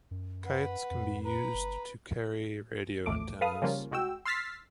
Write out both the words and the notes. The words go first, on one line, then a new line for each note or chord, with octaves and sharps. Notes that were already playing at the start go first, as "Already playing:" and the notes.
Kites can be used to carry radio antennas.
F#2
B4 F#5
F2
B4 A#5
G1
A1 D#2 A3 D6
A4 B4 F5 D#6
C#3 F3 G3 A#3 C#4 F4
C2 G#3 F#4 G5 E6
C6 E6 F6 A6 B6 C7